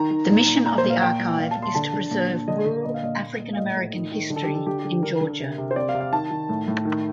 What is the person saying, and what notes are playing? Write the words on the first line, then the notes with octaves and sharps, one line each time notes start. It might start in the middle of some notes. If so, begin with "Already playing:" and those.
The mission of the archive is to preserve rural African American history in Georgia.
Already playing: D#3 A#5
D#3
A#2
A#2
A#2 A#5
C5
A#2
F5
A#2 G5
A#2
A#2 F5
A5
A#2
C6
D3 A5
D3
A#2
A#2
D3 D#5
D3
A#2 D#5
F5
A#2 D#5
A#2
A#2
F5
A2 D#5
A2
D#3
D#3
D3
A4
D3 G4
A4
D3 G4
G4
D3
G4
D3 A#4
D3
C3
C3
C5
C4 D5
F5
C3
F5
D#3 A5
D#3
A2
A2
D#3